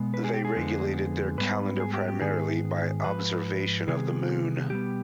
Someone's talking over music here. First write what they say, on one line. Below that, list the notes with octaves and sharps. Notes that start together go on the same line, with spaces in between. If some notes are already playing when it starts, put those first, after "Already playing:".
They regulated their calendar primarily by observation of the moon.
Already playing: B2 G#3 B3
B4
G#4
G4
G#4
F2 D3 F3 G#3 B3
G#2 G3 B3 B4
G#4
G4
G4
G#2 D#3 B3 G#4
G#2 F3 B4
C3 D#3 G3 B3 G#4
B2 G3 B3 G4